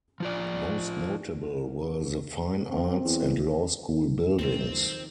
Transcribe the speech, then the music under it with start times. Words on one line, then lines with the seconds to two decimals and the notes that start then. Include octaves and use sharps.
Most notable were the Fine Arts and Law school buildings.
0.20 F3 F4 D5
2.70 C4
3.04 E2
4.39 D#2 D#3 F3 G#3 A#3 C4